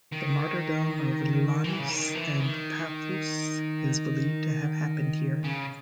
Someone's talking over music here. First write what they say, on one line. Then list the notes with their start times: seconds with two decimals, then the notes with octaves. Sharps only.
The martyrdom of Lulianos and Paphos is believed to have happened here.
0.12 D#3
1.64 E3
1.79 C#3
1.89 D#3
2.15 E3
2.40 D#3
5.44 C#3